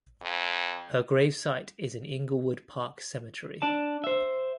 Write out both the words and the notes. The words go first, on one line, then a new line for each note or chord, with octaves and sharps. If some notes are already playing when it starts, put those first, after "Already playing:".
Her gravesite is in Inglewood Park Cemetery.
F2
D4 D5 A5
C5 E5